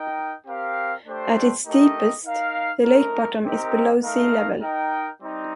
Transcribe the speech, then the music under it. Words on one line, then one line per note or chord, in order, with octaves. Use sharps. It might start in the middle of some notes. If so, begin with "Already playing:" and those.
At its deepest, the lake bottom is below sea level.
Already playing: D#4 A#4 D#5 G5
C4 G4 A#4 F5
A3 D4 G4 C5
A3 D#4 G4 A#4 D#5
D#4 A#4 F5
A3 D#4 A#4
C4 D#4 G4 A#4 D#5
A3 D#4 A#4 F5
D#4 A#4 D#5 G5
G3 C4 D#4